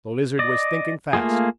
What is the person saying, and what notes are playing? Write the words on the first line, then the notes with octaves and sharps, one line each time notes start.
The Lizard was thinking fast.
D5 D#5
A3 A#3 F4 G#4